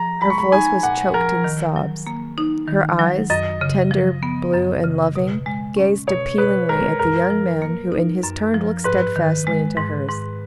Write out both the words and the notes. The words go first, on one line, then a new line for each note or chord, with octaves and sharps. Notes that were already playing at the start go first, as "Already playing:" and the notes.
Her voice was choked in sobs, her eyes, tender, blue and loving, gazed appealingly at the young man, who in his turn looked steadfastly into hers.
Already playing: F3 A#5
G#3 B5
C#6
B5
D#4 G#5
A#2 F#5
F3 A#4
D#3
F#3
A#3
D#4
D#3
F#3
F#2 D#5
C#3
F3
B3
F#2
C#3
B2
G#3
C#4
B2 C#5
B2 B4
G#3 A#4
F#2 A#4
F3
A#3
D#4
F#2
F3
G#2 B4
D#3
G#3
G#2
G#2